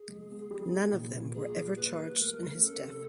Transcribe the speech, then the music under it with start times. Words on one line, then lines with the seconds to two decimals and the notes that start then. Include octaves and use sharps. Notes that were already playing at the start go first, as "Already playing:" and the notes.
None of them were ever charged in his death.
Already playing: G#4
0.08 G#3
0.30 B3
0.51 G3
0.72 D#4
0.92 A#2
1.14 A#2
1.34 G3 G#4
1.56 G3
1.76 A#3 B4
1.98 G3
2.19 A3 A#4
2.39 A3
2.61 C#4 A4
2.82 C3